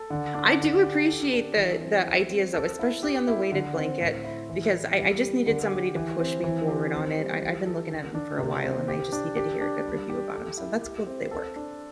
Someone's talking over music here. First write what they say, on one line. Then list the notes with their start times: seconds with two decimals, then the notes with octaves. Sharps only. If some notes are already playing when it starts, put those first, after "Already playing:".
I do appreciate the the ideas, though, especially on the weighted blanket, because I I just needed somebody to push me forward on it, I I've been looking at 'em for a while, and I just needed to hear a good review about 'em, so that's cool that they work.
Already playing: A4
0.10 D3
0.35 D4
0.60 D3
0.83 G4
1.08 A4
1.33 D4
1.57 E3
1.81 C4
2.06 E4
2.30 C4
2.54 A4
2.79 E4
3.03 G4
3.27 E4
3.52 D3
3.76 C4
4.01 A2
4.24 E4
4.49 E3
4.74 E4
4.97 G3
5.22 G4
5.46 D3
5.71 G4
5.96 E3
6.20 C4
6.44 E3
6.68 G4
6.93 C4
7.17 G3
7.41 E3
7.66 A4
7.89 D3
8.15 D4
8.38 C3
8.63 C4
8.88 G4
9.12 D4
9.36 G4
9.61 D4
9.85 G3
10.09 G4
10.34 A4
10.57 E4
10.82 G4
11.07 C4
11.31 A4
11.56 D4